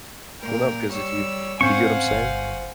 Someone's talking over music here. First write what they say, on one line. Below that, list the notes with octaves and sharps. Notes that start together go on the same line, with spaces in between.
Well, no. 'Cause if you do you get what I'm saying?
A#2 A#4 G5
G3 C#5 E6
G#2 C4 C#4 C5 F5 F#5 G#5 C#6
G1